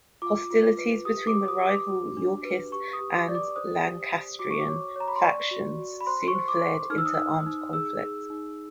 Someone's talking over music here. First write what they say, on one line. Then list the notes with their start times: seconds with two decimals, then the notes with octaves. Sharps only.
Hostilities between the rival Yorkist and Lancastrian factions soon flared into armed conflict.
0.22 F4 D6
0.51 F4
0.77 B4
1.05 G4 D#6
1.27 D6
1.34 G4
1.48 D#6
1.61 G4
1.69 D6
1.90 F#4
2.17 D4
2.45 B4
2.72 G4 C#6
2.93 D#6
3.01 G4
3.14 D6
3.28 D5
3.35 D6
3.56 C5 D#6
3.84 G4
4.12 C5
4.39 F#4 D6
4.51 C#6
4.60 D6
4.68 C#5
4.96 C#5 A#5
5.08 B5
5.16 C6
5.23 D5 C#6
5.51 F#4
5.78 F#4
6.01 B5
6.07 C5 C6
6.28 C#6
6.35 C5
6.48 D6
6.62 C5
6.90 D#4 F6
6.98 E6
7.06 D#6
7.14 D#4 E6
7.46 D#4
7.73 G#4 E6
8.01 G#4
8.30 D#4